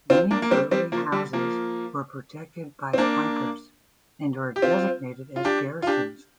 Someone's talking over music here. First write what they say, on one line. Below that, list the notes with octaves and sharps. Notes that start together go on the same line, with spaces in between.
Many early houses were protected by flankers, and were designated as garrisons.
C4 F4
A#3 D4
A#3
G3 C4
G3 C4
F3 A#3
D3 G3
F3 A#3
C4
A#3 D4
G4
C4 F4
F4
D4 G4
F4
D4 G4